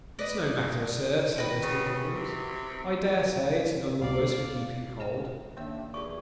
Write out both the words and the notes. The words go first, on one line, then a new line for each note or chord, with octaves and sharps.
'It's no matter, sir,' said Mr Kenwigs. 'I dare say it's none the worse for keeping cold.
B4 D5 D#5
D#3 F#4 B4
C#3
C3
C#2 A#2 G3 D5 F5
G#4 C#5 G5
D#2 D#3 A#3 D4 C#5 E5
F4 G#4 B4 D5 C#6